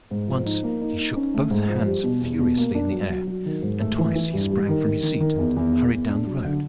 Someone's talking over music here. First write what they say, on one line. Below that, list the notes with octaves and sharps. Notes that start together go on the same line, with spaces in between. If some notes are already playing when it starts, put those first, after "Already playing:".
Once he shook both hands furiously in the air, and twice he sprang from his seat and hurried down the road.
G#2
F3
D#4
A#3
D#4
D#4
C#4
A3
G#2
F3
G3
B2
E2
B2
A#3
D4
F#3
F#3
F#3
D#3
G#2
A3
E3
E3
G2
G3
D#3
D#3
D#3
D#3
E2
E2
E2
E2
D4
F#3
D3